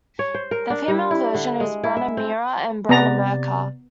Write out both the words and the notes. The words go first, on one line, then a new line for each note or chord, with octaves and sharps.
The female version is Branimira and Branimirka.
C#5
C5
A#4
D4
G3
E4
D3
G#3
E4
E5
C4
C3 B3 D5 A#5 A6